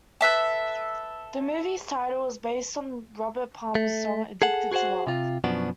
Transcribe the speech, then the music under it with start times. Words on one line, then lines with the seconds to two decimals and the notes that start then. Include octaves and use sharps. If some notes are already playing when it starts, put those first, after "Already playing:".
The movie's title is based on Robert Palmer's song "Addicted to Love".
0.21 A4 B4 E5 A5
3.75 A3
4.42 G#4 A4 F#5
4.71 F#4 G#4 A#4 C5 F#5
5.07 C3 F4
5.44 F#2 B2 F3 B3 D4 F#4